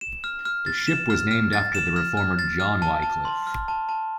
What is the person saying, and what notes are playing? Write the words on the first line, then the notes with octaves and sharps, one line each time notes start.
The ship was named after the Reformer, John Wycliffe.
E7
F6
F6
A6
E7
F6
F6
A6
E7
F6
F6
A6
F6
A5
A5
C6
F6
A5
A5